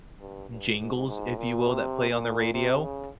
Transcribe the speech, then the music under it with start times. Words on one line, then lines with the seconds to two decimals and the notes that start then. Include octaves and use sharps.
jingles, if you will, that play on the radio,
0.20 G2
0.50 G2
0.79 G#2
1.08 G#2
1.37 A#2
1.66 C3
2.10 A#2
2.54 C3
2.83 C#3